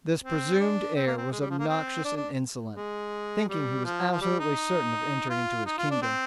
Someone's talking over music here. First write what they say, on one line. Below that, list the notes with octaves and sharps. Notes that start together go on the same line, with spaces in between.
This presumed heir was obnoxious and insolent, thinking he was absolutely certain of entering into his kingdom.
C4
D4
C4
A#3
C4
G#3
G3
F3
A#3
C4
D4
D4
G#3
G3
F3
F3
G3
D#4
F4
D#4
F4
D4
C4